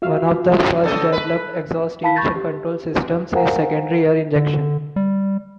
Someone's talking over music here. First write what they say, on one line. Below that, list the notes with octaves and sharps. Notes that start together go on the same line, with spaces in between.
One of the first-developed exhaust emission control systems is secondary air injection.
F4 F#4 E5 F5
C#3 A4 D#5
B4
E4 F5 A5 B5 B6
B5 C#6 G6 A6 A#6
G4
A#4 C5 F5 F#5 G#5 A#5
D3
G3